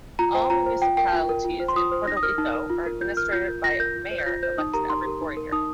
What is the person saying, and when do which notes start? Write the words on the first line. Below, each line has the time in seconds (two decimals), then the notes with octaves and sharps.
All municipalities in Puerto Rico are administered by a mayor, elected every four years.
0.19 F4 A#5
0.34 C5 G5
0.50 F4 A#5
0.66 C5
0.82 F4 G5
0.97 A#4 G5
1.13 F4
1.29 A#4
1.44 F4
1.60 C5
1.68 C6
1.76 F4 D#6
1.92 C5
2.07 D#4 A#6
2.17 D#6
2.23 A#4 F6
2.38 D#4
2.54 A#4
2.70 F4
2.86 A#4
3.01 F4 G6
3.17 A#4 F6
3.32 F4 G6
3.48 A#4
3.64 F4 A#6
3.79 A#4 G6
3.95 F4
4.11 C5
4.18 G6
4.26 F4 A#6
4.43 C5 G6
4.58 D#4 D#6
4.74 G4 A#4 A#5
4.90 D#4 C6
5.05 G4 A#4
5.21 D#4
5.37 A#4
5.52 D#4 D#6